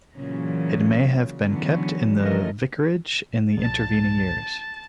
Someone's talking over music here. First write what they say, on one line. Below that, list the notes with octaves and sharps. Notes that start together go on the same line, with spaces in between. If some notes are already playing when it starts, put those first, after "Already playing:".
It may have been kept in the vicarage in the intervening years.
A#2 C#3 E3 F#3
D3 E3 F#3 B3 C#4
F3 G3 A3 C#4 A#4 D#5
C2 A#2 F3 A5 A6